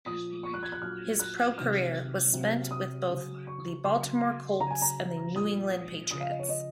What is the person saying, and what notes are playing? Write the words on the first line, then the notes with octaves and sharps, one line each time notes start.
His pro-career was spent with both the Baltimore Colts and the New England Patriots.
A#2 F3 D#6
C#6
F#6
G#6
F#6
A#2 F#3 F6
F#6
C3 D#3 F#3 F6
C3 F#3
D#6
C#3 F#3
C#6
C#3 F#3 C6
C#3 F#3 A#5
G#5
A#5
A#2 F3 D#6
C#3 F3 D#6
F5
D#5
C#5
D#5